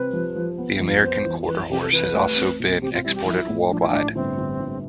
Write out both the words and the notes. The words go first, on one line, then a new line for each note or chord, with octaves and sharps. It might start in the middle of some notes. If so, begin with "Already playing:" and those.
The American Quarter Horse has also been exported worldwide.
Already playing: C3 C4 B4
F3
F3
B3
F2
B3 C5
E3
E3 B4
C3 G4
A4
E3 B4
A3
C4
B2
C4 G4
F4
G3 E4
G4
F3 E4
A2
F3 D4
E4
A2 D4
G1 C4
G1
G1